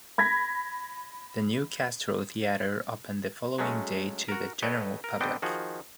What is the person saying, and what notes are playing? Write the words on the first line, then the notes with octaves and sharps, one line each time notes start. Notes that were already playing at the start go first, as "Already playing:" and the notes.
The new Castro Theatre opened the following day to the general public.
B5 G#6 A#6 B6
F#3 G#3 A3 C#4
F#4 A#4
A4 B4 C#5 D#5 G5
A#4
B3 C4 D4 D#5 G5
D#3 F3 F#4 G#4